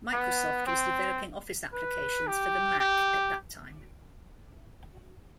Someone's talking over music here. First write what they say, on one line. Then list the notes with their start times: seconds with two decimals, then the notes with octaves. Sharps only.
Microsoft was developing office applications for the Mac at that time.
0.12 B3
0.66 C4
1.73 B4
2.27 G4
2.80 G4